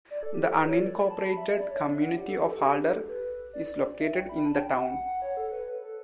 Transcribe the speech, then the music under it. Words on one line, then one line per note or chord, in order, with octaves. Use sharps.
The unincorporated community of Halder is located in the town.
D5
A4
G4
A4
B4
C#5
D5
B5
A5
B5
E5
E5
D5
C#5
E5
D5
F#5
G4
A4
G4
A4
G4
G4
A4
B4
D5
E5
G5
B5
A5
F#5
G5
F#5
F#5
F#5
C#5
A4
B4
B4
A4